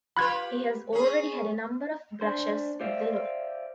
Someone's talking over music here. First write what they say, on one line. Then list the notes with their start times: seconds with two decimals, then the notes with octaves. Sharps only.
He has already had a number of brushes with the law.
0.17 F4 G4 B4 B5 F#6 G#6
0.92 C#4 G#4
2.21 D4 C5
2.81 C5 D5 E5 F5